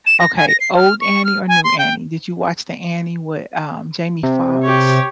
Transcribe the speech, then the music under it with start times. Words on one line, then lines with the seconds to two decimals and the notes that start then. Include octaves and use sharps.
Okay old Annie or new Annie did you watch the Annie with, um, Jamie Foxx
0.06 E7
0.20 A#6
0.37 G#5
0.48 A#6
0.60 C7
0.76 F6
1.01 C#6
1.25 F6
1.48 G#5
1.64 C6
1.79 G5
4.23 C3
4.63 G4 C#5